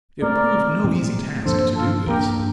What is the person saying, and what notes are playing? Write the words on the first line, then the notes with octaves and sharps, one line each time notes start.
It proved no easy task to do this.
A#2 A3 C4 A#4 D5
A#2 A3 C4
G2 F3 A#3 D4 A4 C5
F4 A4
G2 F3 A#3 D4 G4 A#4